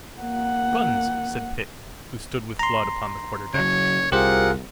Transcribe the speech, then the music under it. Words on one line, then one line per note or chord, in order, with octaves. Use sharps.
"Guns!" said Pitt, who stood with Blood upon the quarter-deck.
A#3 F#5
A#5 C6
C#3 F#3 C#5
C2 F4 G4 G#4 A#4 C5 F#5